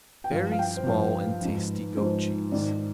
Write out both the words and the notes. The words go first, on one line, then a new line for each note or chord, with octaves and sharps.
Very small and tasty goat cheese.
G5
G2 F3 F5
F5
G5
C5
G2 F3 B4
G#2 F3
G#2 F3 C5
G#2 D#3 D5